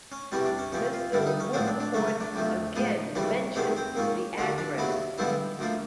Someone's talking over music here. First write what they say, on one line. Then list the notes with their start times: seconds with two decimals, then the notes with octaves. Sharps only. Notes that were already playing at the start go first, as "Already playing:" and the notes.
Mr. Woodcourt again mentioned the address.
0.12 C#4
0.32 E2 C3 E3 G3 C#4
0.45 D4
0.58 C#4
0.72 E2 C3 F3 C#4
0.93 F4
1.12 G2 D3 G3 E4
1.26 D#4
1.40 C#4
1.53 A#1 A2 F3 G#3 B3 C4
1.66 D4
1.80 D4
1.94 C#2 C#3 F#3 A3 C#4
2.07 C#4
2.20 D4
2.34 E2 C3 F3 A3
2.75 A2 F3 G#3 B3
3.15 D#2 C#3 E3 G3 C#4
3.55 E2 C3 D#3 G#3 B3 C#4
3.76 C4
3.96 G#2 F3 A#3 C#4
4.38 D#2 D3 F#3 A#3 D4
4.58 D4
4.78 D#2 C#3 F#3 B3 E4
5.18 G2 D3 F3 G#3 B3 E4
5.59 D2 D3 F3 A#3